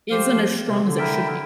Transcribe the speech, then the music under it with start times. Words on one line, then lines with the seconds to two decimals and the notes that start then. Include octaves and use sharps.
isn't as strong as it should be.
0.09 F3 G4 C5 F5
0.31 F3
0.69 C3
0.83 D3
0.97 E4 A#4 E5 G5